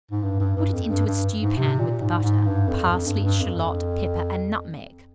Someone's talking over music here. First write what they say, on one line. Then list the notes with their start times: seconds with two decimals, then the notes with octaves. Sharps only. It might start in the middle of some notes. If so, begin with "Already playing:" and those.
Put it into a stewpan with the butter, parsley, shalot, pepper, and nutmeg.
0.11 G#2
0.23 G2
0.40 G2
0.57 G2
0.73 F2
0.90 G2
1.07 G2
1.41 G#2
1.57 C3
1.79 A#2
2.02 G#2
2.24 G#2
2.46 G2
2.68 F2
2.91 F2
3.07 G2
3.24 G2
3.41 F2